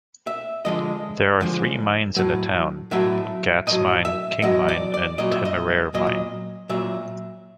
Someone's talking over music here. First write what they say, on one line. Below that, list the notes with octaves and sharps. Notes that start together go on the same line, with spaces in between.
There are three mines in the town: Gath's Mine, King Mine and Temeraire Mine.
E5
D3 F3 G#3 D#5
D3 F3 G#3
A2 F#3
A2 F#3 E5
A2 F#3 D#5
E5
A2 F#3 D#5
D5
D5
A#2 F#3 D#5
E5
D#5
A#2 F#3 D#5
A#2 F#3 E5